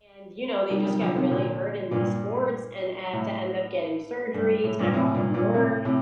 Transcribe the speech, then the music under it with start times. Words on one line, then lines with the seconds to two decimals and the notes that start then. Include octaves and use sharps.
and, you know, they just get really hurt in these sports and have to end up getting surgery, time off from work,
0.70 D#3 G3
0.85 D#3 G3
1.01 D3 F3
1.16 C3 D#3
1.31 A#2 D3
1.91 G2 A#2
3.13 A2
4.34 G2
4.64 A2
4.79 G2 A#2
4.94 A2 C3
5.14 G2 A#2
5.34 G2 A#2
5.54 A2 C3
5.85 A2 C3